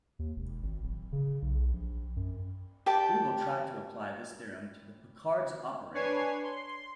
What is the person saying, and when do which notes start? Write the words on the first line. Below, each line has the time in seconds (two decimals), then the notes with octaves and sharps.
We will try to apply this theorem to the Picard's operator.
0.19 D#2
0.36 E1
0.63 G#1
0.82 D1
1.12 C#3
1.42 B1
1.73 A#1
2.16 F#2
2.86 G4 D5 G5 A5
5.94 D4 B4 C#5 G#5 G#6 C7
6.44 C6